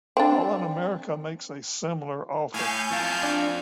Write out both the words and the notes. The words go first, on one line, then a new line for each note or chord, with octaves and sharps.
Holland America makes a similar offer.
C4 D4
A2 C#4 F5 G#5 G6
F2 A3 A#4 F5 A5
D4